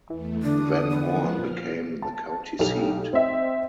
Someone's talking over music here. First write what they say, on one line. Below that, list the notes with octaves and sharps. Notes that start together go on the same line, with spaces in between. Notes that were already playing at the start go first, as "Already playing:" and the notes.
Van Horn became the county seat.
E2 E3 A3
D3 D4 D#6
F3 B3
A#2 F6
A5
B1 G4 A4 F7
C4 D#5 E5 G5